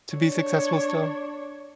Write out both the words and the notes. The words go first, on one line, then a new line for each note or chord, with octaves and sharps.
to be successful still?
D4 C#5